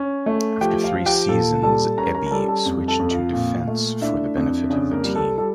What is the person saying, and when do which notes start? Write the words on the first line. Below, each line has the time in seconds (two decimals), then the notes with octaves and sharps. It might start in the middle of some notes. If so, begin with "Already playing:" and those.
After three seasons Ebbie switched to defence for the benefit of the team.
Already playing: C#4
0.26 A3
0.61 F3 G4 G5
0.84 F4 F5
0.96 F3
1.06 G4 G5
1.29 A#2 A4 A5
1.63 G3 A4 A5
1.97 C#4 A#4 A#5
2.15 A#4 A#5
2.26 A#5
2.31 G3 A4 A5
2.48 A4 A5
2.66 F2
2.88 A4 A5
3.00 F2
3.11 F4 F5
3.34 A#2
3.67 A3
4.02 D4 E4 E5
4.36 F2
4.70 C#3 D4 D5
4.92 A#3 A#4
5.04 G3
5.15 A4
5.38 G3 A4